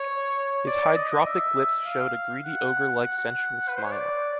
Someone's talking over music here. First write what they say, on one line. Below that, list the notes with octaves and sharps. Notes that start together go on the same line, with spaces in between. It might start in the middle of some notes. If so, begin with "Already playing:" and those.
His hydropic lips showed a greedy ogre-like sensual smile.
Already playing: C#5
D5
D5
D#5
D#5
E5
F5
F#5
F#5
F#5
B4
C5
C#5
D5